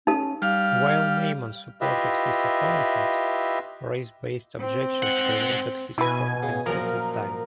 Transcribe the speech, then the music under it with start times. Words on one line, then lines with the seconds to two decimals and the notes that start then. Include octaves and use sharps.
While Neyman supported his appointment, race-based objections prevented his appointment at that time.
0.07 C#4 D#4 A4
0.42 G3 F5 F6
1.81 E4 F4 G4 B4 D#5 E5
4.60 C4
5.02 G#2 F#5
5.98 B2 E4 B4 G#5
6.43 C#3
6.66 F#2 A#2 F3 A#4